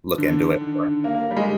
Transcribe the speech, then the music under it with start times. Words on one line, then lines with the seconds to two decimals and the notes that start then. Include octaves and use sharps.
look into it more.
0.18 D3
0.61 D#3
1.04 A#3
1.15 A#3
1.31 G3
1.37 G#3